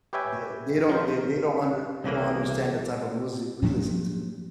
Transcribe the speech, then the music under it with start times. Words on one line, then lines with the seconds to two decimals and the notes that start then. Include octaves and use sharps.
th they don't they they don't under they don't understand the type of music we listen to.
0.13 G4 B4 C#5 E5 G5 G#5
0.90 F3 A#4 C5
2.04 C2 C#3 E3 A#3
3.62 A2 F3 F#3 A#3